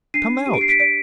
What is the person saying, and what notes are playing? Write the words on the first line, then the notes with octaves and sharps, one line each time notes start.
Come out!
D4 C7 D#7
G4 D#7
D7
C7
B6 D7
D5 B6 D7